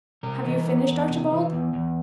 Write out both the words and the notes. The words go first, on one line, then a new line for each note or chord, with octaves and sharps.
"Have you finished, Archibald?"
C3 A#4
E3
E2
E2
C3
E3
E2
E2